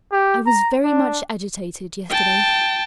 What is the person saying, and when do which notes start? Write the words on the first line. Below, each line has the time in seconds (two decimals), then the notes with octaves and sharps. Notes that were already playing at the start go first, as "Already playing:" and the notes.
I was very much agitated yesterday.
0.12 G4
0.47 A#5
0.84 D4
2.10 G5 A5